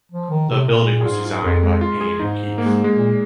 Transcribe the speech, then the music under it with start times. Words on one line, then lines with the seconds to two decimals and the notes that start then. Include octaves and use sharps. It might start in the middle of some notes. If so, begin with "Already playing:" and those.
The building was designed by Payne and Keefe.
0.12 F3
0.30 D#3
0.49 C3
0.68 A#2 A#4
0.87 G#4
1.01 G#4
1.06 G#2 F4
1.25 F4
1.44 F2 A#4
1.63 G#3
1.81 F4
2.01 G#4
2.20 G#2 D#4
2.58 A#3
2.66 G#3
2.84 G#3
2.96 A#2